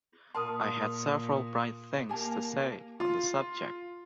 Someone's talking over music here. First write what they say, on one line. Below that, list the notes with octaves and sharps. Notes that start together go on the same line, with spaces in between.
I had several bright things to say on the subject.
A#2 A#4 F5 A5 C6 D#6
A#3 G4 G#5 A5
F4